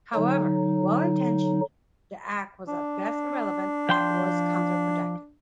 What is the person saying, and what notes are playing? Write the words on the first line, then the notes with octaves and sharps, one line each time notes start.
However well-intentioned, the Act was at best irrelevant, at worst counter-productive.
D3 F#3 D#4
D4
F3 G5 C6